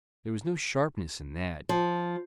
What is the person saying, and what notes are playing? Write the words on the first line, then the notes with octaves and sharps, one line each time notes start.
There was no sharpness in that.
F3